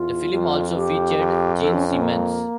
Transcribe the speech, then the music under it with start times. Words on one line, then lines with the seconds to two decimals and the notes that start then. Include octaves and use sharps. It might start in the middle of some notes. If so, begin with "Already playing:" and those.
The film also featured Gene Simmons.
Already playing: E2 F4
0.33 F2
0.76 G4
1.18 F2
1.60 A4
1.74 C#4
1.89 C#4
2.02 A#3